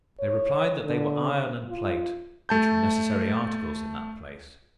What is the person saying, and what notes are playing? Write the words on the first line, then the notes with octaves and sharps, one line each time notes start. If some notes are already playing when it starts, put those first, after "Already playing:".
They replied, that they were iron and plate, which were necessary articles in that place.
C#5
D3
F4
A3 A5 G6